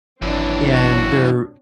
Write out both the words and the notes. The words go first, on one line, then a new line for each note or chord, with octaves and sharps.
and they're
G#1 F#2 E3 C4 D4 C#5
F#4